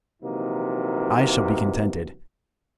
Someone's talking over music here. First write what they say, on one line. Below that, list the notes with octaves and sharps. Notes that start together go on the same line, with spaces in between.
I shall be contented.
A#1 C3 E3 F#3 A#3 D#4